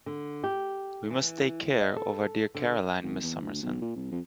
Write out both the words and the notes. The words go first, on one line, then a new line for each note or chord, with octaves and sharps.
We must take care of our dear Caroline, Miss Summerson.
D3
G4
E3
D#5
A4
D3
G#1
E2
D2
B1
A#2
C2
F2